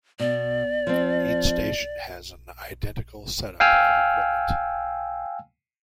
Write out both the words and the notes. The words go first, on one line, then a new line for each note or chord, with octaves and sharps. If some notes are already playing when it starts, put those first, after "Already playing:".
Each station has an identical setup of equipment.
B2 D5
F3 C4
F5 G5 G#5 E6 F6